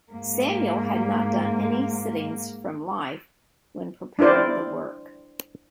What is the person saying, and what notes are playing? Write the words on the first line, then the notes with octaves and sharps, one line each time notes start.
Samuel had not done any sittings from life when preparing the work.
G#2 A#3
D4 E4 A#4 C5 D5